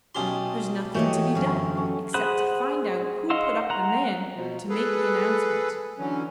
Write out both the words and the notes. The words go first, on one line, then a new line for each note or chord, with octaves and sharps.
"There's nothing to be done, except to find out who put up the man to make the announcement."
B1 C#4 G4 D#5 A5 C6
E3 A3 F#4 G4 C#5 D#5 F5
F#2 D3 C#4
C#4 A4
G#4 C5 F#5 B5 F#6
D#5 F5 F#5 C6 E6
F#5 A#5
B2 F3
G#4 A4 B4
D3 E3 F#3 C#4